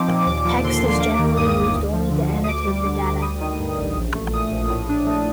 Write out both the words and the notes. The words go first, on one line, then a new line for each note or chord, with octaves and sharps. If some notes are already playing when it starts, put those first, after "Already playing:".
Text is generally used only to annotate the data.
Already playing: F3 C4 D#4 D6
A#2
D#2 D6
F3
D3 C6
C6
D#2
C6
A#3 D6
D#3
G2 D#6
D#6
G1
D2
F3
D3
D2
D#6
D2 D6
G3
D3
D2
G3 D#6
D#3
G2
A1
A#1
A3
A#2 D#6
A#1
A2
D4
A3